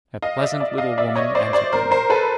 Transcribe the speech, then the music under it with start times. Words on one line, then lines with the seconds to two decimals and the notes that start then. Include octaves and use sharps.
A pleasant little woman answered my knock.
0.22 D#5 F5
0.41 D5 E5
0.60 D5 E5
0.78 D#5 F5
0.98 D5 E5
1.16 C#5 D#5
1.35 C5 D5
1.53 C5 D5
1.72 A#4 C5
1.91 A#4 C5
2.10 A4 B4